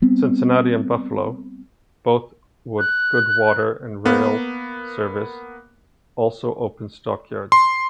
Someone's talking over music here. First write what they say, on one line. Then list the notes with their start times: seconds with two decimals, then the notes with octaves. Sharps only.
Cincinnati and Buffalo, both would good water and rail service, also open stockyards.
0.02 G3 B3 C4
2.79 F#6
4.05 A#3 B3
7.52 C6